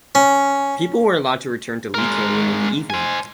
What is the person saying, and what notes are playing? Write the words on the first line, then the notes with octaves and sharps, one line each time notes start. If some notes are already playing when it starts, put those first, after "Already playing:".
People were allowed to return to Lee Canyon in the evening.
C#4
G#3 A#4
C5 G#5